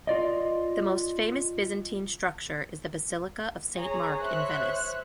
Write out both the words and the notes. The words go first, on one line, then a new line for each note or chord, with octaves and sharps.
The most famous Byzantine structure is the Basilica of Saint Mark in Venice.
F4 D5 D#5
G#4 C#5 A#5
C5 C#5 E5 C#6 F#6